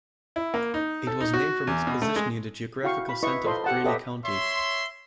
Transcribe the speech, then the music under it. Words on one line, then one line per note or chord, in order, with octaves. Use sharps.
It was named from its position near the geographical center of Greeley county.
E4
A#3
D#4
A4
D#4
F#4
E2
B2
A3
G#3
E4 F#4 F5 G5 C#6
B5
E4 B4 D#5 C#6
F4 A4 C5 D#5 B5 C6
G4 F#5 A5
G4 A4 B4 C#5 D#5 E5
C#5 E5 C6